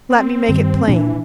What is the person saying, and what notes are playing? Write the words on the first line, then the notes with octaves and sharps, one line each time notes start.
Let me make it plain.
C4
G2 D#3
A#2 E3 D4